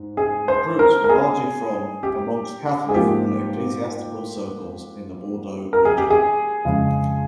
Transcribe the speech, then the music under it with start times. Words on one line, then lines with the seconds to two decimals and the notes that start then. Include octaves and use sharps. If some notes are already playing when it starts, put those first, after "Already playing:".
Recruits were largely from amongst Catholic and ecclesiastical circles in the Bordeaux region.
Already playing: G#2
0.17 G#4
0.48 C5
0.79 A#4
1.04 A#4
1.09 G#4
2.03 G4
2.89 G#4
2.95 G#2 F3 A#3 G4
5.73 A#4
5.85 G#4
5.98 G4
6.10 G#4
6.65 F2 C#3 G#3